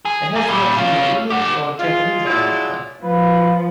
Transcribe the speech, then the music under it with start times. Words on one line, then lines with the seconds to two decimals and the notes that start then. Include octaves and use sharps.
It has the option of English or Japanese-language play.
0.05 G#4
0.36 A#3 G#4
0.49 A#2 G3
0.77 C#4 F4
1.30 G4 F#5
1.79 G#3 F4
2.25 F3 F#3 G#3 E4 D5
3.04 F3 B4